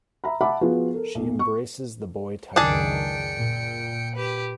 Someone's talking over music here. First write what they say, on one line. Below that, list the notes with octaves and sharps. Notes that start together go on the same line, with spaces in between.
She embraces the boy tightly.
E5 A#5 B5
E5 F#5 A5 B5 D6
F3 B3 F4 F#4 G#4
A4 A#4
B1 E2
C#6
C#2 F#2 D#3 D4 G#4 G5 A5 C#7
A#2
G4 B4